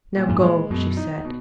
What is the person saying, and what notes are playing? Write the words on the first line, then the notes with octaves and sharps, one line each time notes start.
"Now go," she said.
A#2
F2 G#2
G#3
F#2 B2
D#4
B2